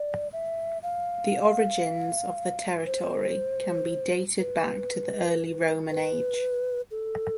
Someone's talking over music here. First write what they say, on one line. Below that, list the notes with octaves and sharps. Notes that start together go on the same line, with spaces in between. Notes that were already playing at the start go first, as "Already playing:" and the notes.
The origins of the territory can be dated back to the early Roman age.
Already playing: D5
E5
F5
C5
B4
B4
A4